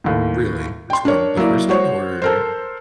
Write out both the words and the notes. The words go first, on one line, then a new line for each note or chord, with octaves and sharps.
Really? Which one? The first one? Or
D#2 A2
G5 C6
D4 A#4 C#5
F#3 A#3 E4 D5
F#4 C5 C#5
A4 A#4 C5